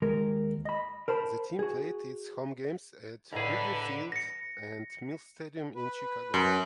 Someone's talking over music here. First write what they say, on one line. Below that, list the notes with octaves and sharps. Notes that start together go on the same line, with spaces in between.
The team played its home games at Wrigley Field and Mills Stadium in Chicago.
D#2 G#3 A#4
D#5 B5
A#4 C5 A5 B5
F#4 G#4
C#2 A2 D3 G#4 B4 A#5
A#6 C#7
B4
F#2